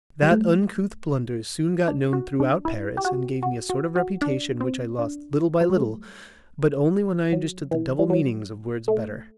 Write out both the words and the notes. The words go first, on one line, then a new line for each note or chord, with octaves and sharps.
That uncouth blunder soon got known throughout Paris, and gave me a sort of reputation which I lost little by little, but only when I understood the double meanings of words better.
G3
A3
D4
F#4
D4
E4
G4
F#4
F#4
F#4
F#4
D4
C4
D4
F#3
G3
A3
F#3
E3
G3
F#3
A3